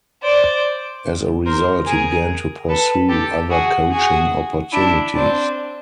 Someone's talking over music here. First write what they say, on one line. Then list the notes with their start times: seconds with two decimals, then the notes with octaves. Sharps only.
As a result, he began to pursue other coaching opportunities.
0.21 C5 D5
1.45 A#4 C5
1.85 G#4 A#4
2.68 A4 B4
3.08 G4 A4
3.50 F#4 G#4
3.91 F#4 G#4
4.72 D4 E4
5.14 C4 D4